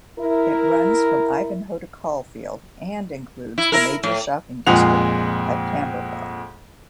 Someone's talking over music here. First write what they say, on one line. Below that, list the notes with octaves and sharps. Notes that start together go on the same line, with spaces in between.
It runs from Ivanhoe to Caulfield and includes the major shopping district at Camberwell.
E4 A#4
E4
E4 A#4
A2
F2 A#2 G#3 G#4 F#5 F7